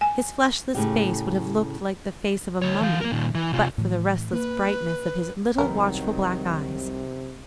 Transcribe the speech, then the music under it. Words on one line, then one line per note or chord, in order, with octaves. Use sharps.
His fleshless face would have looked like the face of a mummy, but for the restless brightness of his little watchful black eyes.
G#5
A2 C#3 G4
D2 C#5
E3 F5
A#3 A#4
A#2 D#3
E3
C3 F4
A2 E3
A#3 B4
C2 C3 D#3 F#3 B3 A#4